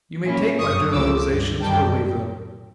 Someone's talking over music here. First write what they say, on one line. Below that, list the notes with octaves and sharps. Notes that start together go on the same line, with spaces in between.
You may take my generalizations or leave them.
A#2 F3 A#3 C#4 E4
G1 F#2 D3 C#6 D#6
C#2 C#3 F3 A3 C4 D6 E6
G2 D3 F#3
F#2 D#3 G3 G5 A5